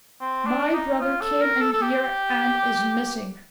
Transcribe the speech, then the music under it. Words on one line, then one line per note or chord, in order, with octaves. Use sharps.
My brother came in here, and is missing.
C4
D4
D#4
F4
A4
A#4
A4
A4
G4